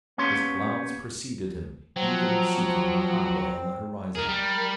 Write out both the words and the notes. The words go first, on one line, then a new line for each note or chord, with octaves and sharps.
His glance preceded him, eagerly seeking the harbour on the horizon.
A#3 B3 C#4 G4 C#5 C6
F3 F#3 C4
D#4 G#4 A#4
G3